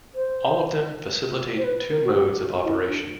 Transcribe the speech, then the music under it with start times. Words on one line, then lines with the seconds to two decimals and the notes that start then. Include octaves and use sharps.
All of them facilitate two modes of operation.
0.15 C5
1.58 C5
1.64 B4
1.90 A#4
2.04 F#4
2.14 G4
2.38 F#4
2.64 E4
2.88 D4